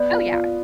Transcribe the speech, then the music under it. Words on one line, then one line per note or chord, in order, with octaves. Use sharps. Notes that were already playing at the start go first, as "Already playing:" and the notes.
Oh, yeah.
Already playing: B3 D5
F4
F4